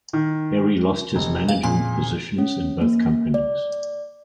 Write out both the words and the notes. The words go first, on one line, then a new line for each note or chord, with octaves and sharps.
Berry lost his management positions in both companies.
D#3
F1
F5
F2 A#2 C#3 G#5
C#4
A#3
D5